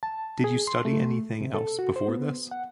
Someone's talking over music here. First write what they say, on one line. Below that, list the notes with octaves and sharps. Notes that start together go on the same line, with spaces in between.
Did you study anything else before this?
A5
G#4
C6
A3
C3
A4
F#4
C5
B3
F#5